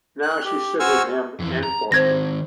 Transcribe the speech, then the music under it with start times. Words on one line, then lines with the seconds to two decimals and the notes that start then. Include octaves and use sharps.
Now she stood with him and for him.
0.22 F#6
0.45 G4
0.80 F#4 C5 G#5 C#6 E6 F6
1.40 F2 E3
1.63 A#5
1.92 D#3 C4 C5 G#6 A#6